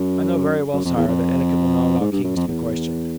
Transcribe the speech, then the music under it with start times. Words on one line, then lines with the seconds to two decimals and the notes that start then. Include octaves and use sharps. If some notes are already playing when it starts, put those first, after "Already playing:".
I know very well, sire, that etiquette will not allow kings to be questioned.
Already playing: F#2
0.73 F#2
0.85 F2
0.97 E2
1.08 F2
2.00 G#2
2.12 G2
2.24 F#2
2.36 F2
2.48 E2